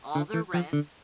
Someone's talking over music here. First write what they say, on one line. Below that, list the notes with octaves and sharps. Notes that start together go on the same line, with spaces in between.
all their rent,
D3
E3
F3
D3